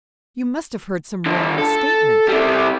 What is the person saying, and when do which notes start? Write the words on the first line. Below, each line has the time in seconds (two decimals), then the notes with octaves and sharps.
'You must have heard some wrong statement.
1.26 G2 D3
1.58 A4
2.29 C3 G3